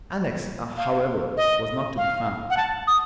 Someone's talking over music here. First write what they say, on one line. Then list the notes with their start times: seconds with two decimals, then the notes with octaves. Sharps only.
Alex, however, was not to be found.
0.77 F5
1.37 D#5
1.97 F5
2.50 F#5
2.57 A5
2.87 D#6